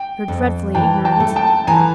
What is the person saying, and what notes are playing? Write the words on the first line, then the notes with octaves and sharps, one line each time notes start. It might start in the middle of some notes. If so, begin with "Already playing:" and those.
"You're dreadfully ignorant."
Already playing: G5
F2
E3 G5 A5
G5 A5
A3
G5 A5
E3 G#5 A#5